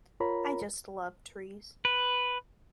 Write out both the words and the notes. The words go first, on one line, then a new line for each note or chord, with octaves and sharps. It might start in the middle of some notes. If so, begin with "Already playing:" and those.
I just love trees.
F4 A#4 C#5 A#5 B5
B4